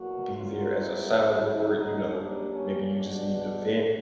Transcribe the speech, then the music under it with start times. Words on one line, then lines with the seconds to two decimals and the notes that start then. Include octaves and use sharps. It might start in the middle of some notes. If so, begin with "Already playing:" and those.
be there as a soundboard, you know, maybe you just need to vent.
Already playing: E2 B2 F#3 A#3 F#4
0.34 F#2 D3 F#3 B3 F4
0.77 E4
1.20 D#2 C#3 F#3
1.64 D#4
2.08 A#2 G3 A#3 D4
2.51 C#4
2.95 B2 G#3 B3 D4